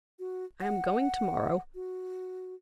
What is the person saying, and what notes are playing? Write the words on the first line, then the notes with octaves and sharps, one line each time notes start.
I am going to-morrow.
F#4
F#5
F#4